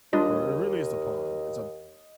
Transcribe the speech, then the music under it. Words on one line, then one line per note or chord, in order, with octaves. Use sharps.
or really it's a pond it's a
D#2 G3 D4 F4 D#5